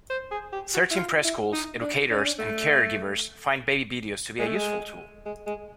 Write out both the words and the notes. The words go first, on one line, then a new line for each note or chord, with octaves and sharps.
Certain preschools, educators and care givers find baby videos to be a useful tool.
C5
G#4
G4
F#4
E4
F4
E4
D#4
D4
D4
C#4
D4
A3
G#3
A3
G#3
G#3
G#3